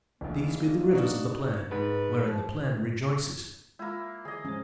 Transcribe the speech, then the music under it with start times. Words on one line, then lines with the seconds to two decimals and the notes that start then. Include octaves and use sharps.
These be the rivers of the plain, wherein the plain rejoices.
0.21 D1 E2 A#3
0.91 D4 D#4 F#4
1.71 G#2 B4
2.26 F3
3.79 G#3 A#3 E4 F4
4.25 D3 E3 G#4 D#5
4.45 G#2 F3 G#3 C#4 C5